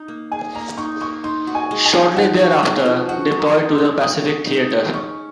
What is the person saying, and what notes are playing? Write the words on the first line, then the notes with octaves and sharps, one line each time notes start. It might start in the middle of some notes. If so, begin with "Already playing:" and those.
Shortly thereafter, deployed to the Pacific Theater.
Already playing: D#4
A#3
G#4 G#5
A#3 A#5
D#4 C#6
A#3 C#6
D#4 C6
F#4
G#5
G#3
G#5
F3
D#4 F#5
F#4
G#3
F3
F#4 F#5
G#3
A#5
D#4
C6
G#3
F#4 D#6
G#3
D#4
G#3
C#4 C#6